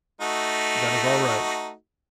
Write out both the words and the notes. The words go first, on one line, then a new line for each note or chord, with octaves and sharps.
"That is all right."
A3 D#4 F#4